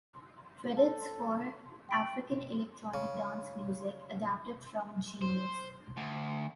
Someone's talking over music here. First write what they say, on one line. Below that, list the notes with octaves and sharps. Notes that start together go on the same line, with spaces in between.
Credits for "African Electronic Dance Music" adapted from Genius.
A4
G5 D7 F#7
C#3
C5
D2